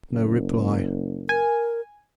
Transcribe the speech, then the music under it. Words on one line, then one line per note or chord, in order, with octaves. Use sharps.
No reply.
F#1
A#4 G#5